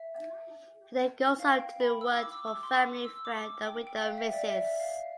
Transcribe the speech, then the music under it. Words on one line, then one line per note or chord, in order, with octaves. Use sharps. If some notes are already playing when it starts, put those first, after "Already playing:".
He then goes off to do work for family friend and widow Mrs.
Already playing: E5
F5
G5
B5
E6
D6
E6
D6
C6
E6
D6
G5
G5
G5
F5
E5
D5
E5
F5